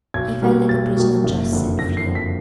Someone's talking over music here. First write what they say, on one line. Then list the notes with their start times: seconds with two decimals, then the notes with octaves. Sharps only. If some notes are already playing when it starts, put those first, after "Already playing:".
He felt like a prisoner just set free.
0.14 B1 G#6
0.42 B2 G3 A#3
0.69 B1 A6
0.97 B2 G3 A#3
1.24 F#1
1.52 F2 D3
1.79 F#1 A#6
1.97 C7
2.06 F2 D3
2.15 B6